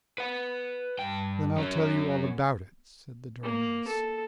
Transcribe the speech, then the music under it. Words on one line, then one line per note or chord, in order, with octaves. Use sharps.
"Then I will tell you all about it," said the Dormouse.
B4 F#5
G2 G5
F#3 C#4
A#3
A4